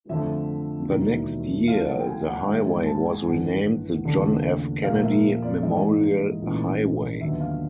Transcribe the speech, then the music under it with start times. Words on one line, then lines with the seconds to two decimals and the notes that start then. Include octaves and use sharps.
The next year, the highway was renamed the John F. Kennedy Memorial Highway.
0.09 F2 D3 F3 A3 E5
0.88 E1 D#2 D#3
1.67 A2 F3 A3 F5
1.87 F#5
1.99 G5
2.07 G#5
2.26 F#5
2.46 G#2 D#3 G#3 E5
2.66 G#5
2.86 A5
3.05 G#5
3.25 A1 G2 D#3 F#5
4.04 D#2 C#3 F3 A3 D4
4.84 A#2 F3 A#3 F5
5.03 E5
5.42 D5
5.62 G#2 E3 G#3 D#5
6.42 A#1 G#2 E3 A3 C#4
7.21 D#2 D3 F#3 B3 E5
7.41 F5